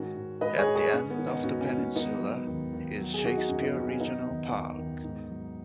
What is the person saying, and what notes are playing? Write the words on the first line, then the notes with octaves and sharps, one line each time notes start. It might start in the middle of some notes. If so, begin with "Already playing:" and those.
At the end of the peninsula is Shakespear Regional Park.
Already playing: G#2 D#3 C#4 F#4
G#2
G#2 B4 D#5
G#4 C#5
G#2
G#4 C#5
G#2 C#4
B3
D#3
B3 D#4
G#2 C#4 F#4
C#4
G#2
C#4
D#3 B3 D#4
F#3
D#2
D#2
F#3
G#4
D#3 F#4
D#4
F#2 C#4
B3 D#4
F#3 C#4
C#4
D#3 B3 D#4
D#2
D#2
D#2
G#2
F#3